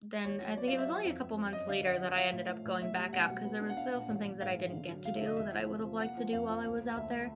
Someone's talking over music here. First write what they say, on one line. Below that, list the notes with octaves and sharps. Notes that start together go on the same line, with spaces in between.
then I think it was only a couple months later that I ended up going back out 'cause there was still some things that I didn't get to do that I would have liked to do while I was out there.
D#2 C#5
F#3
C#5
B3 D5
F5
F#3
E5
F3 E5
F2
F2
F2
F#2 D#5
D3 F5
F#2 F#5
G3
F3 F5
A2
F3
A2
B1 E5
G3
B1 F#5
B2
B3
D4
F#5
D4 F5
A#2
A1
A1
G#2 F5
E3
D3
F#3
E1 F5
E5
D3
D#5
E2 E5
F3
C3
F3
A#3 F#5
F3
F2 F5
F3
D2 F5
A#3
D2 E5